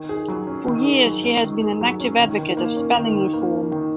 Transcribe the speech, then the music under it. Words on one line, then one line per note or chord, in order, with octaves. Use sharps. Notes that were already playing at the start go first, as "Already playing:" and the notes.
For years he has been an active advocate of spelling reform.
Already playing: D#3
G#4
F#3
C#4
D#3
G#4
F#3
C#4
D#3
G#4
F#3
C#4
D#3
D#3
A#3
C#4
D#3
D#3
A#3
C#4
D#3